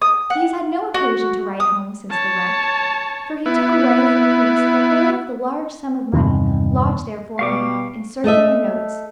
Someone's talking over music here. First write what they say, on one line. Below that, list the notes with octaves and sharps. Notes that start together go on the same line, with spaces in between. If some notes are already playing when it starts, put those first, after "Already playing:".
He has had no occasion to write home since the wreck; for he took away from Coutts's the whole of the large sum of money lodged there for him, in circular notes.
D#6
F#5
F#4
D#6
C#5 A5
B3 E4
E2 G2 C3 D#3
B2 G3 B3 F5 C#6 D6
A3 A4 D#5 E5